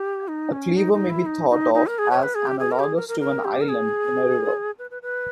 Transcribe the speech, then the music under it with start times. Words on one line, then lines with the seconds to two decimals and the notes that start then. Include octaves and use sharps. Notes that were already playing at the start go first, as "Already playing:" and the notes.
A cleaver may be thought of as analogous to an island in a river.
Already playing: G4
0.28 D#4
0.52 C#4
0.77 D#4
0.93 D#4
1.10 E4
1.26 D#4
1.50 D#4
1.74 D#4
1.87 A#4
1.98 G#4
2.11 C#5
2.23 B4
2.35 G#4
2.47 G4
2.59 G#4
2.71 A#4
2.79 G4
2.84 G#4
2.96 A#4
3.08 A#4
3.20 A#4
3.44 G4
3.61 A#4
3.69 G#4
4.78 B4
4.90 B4
5.02 B4